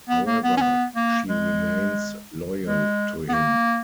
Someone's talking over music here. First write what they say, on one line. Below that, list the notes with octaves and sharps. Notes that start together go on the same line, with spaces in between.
However, she remains loyal to him.
B3
A#3
B3
C#4
B3
A#3
G#3
G#3
B3
A#3